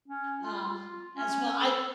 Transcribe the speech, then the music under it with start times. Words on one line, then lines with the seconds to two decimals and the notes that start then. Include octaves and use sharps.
um, as well, I've
0.08 C#4
0.43 F4
0.64 F4
1.17 C#4
1.60 A4